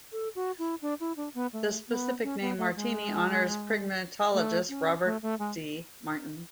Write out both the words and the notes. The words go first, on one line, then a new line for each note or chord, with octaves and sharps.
The specific name, "martini", honors primatologist Robert D. Martin.
A4
F#4
E4
D4
E4
D4
B3
A3
B3
C#4
B3
A3
G#3
A3
C#4
A3
A3
G#3